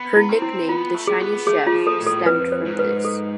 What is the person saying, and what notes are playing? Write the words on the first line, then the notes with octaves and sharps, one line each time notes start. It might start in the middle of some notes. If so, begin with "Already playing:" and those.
Her nickname, the "Shiny Sheff", stemmed from this.
Already playing: B3
E4
C4
E4
B3 F4
A3
G#4
B3
A3 G#4
F4
F3
A4
A2
A4
F2 B4
C5
G#2
B4
A4